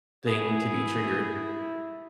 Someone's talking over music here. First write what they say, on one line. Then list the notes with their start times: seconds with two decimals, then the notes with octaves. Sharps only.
thing to be triggered
0.26 A3 B3 E4 G#4